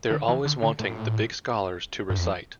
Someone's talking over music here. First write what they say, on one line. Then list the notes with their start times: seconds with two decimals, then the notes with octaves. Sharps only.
They’re always wanting the big scholars to recite.
0.11 D3
0.28 E3
0.45 D3
0.62 D3
0.79 A2
2.10 G2
2.18 F2